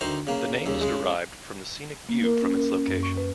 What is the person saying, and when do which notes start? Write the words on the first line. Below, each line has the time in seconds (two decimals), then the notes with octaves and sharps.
The name is derived from the scenic view from its location.
0.01 D2 D#3 C5 A#5
0.27 C#3 A#3
0.66 D#2 C#3
0.81 C#3 G#3
2.09 A#3
2.24 A#4
2.42 C#4
2.57 A#4
2.74 C#4
2.87 F#2
3.03 C#6
3.18 B4